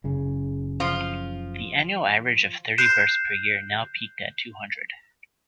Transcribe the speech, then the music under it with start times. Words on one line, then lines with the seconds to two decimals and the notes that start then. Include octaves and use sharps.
The annual average of thirty births per year now peaked at two hundred.
0.04 F#1 C#3
0.80 F3 F4
2.78 F#6 G6 C7 E7